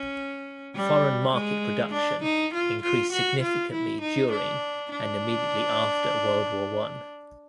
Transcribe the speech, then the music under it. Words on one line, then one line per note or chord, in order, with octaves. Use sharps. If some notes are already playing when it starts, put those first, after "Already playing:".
Foreign market production increased significantly during and immediately after World War One.
Already playing: C#4
G3
G#3
D4
D#4
F4
F4
F#4
F4
E4
D#4
D4
D4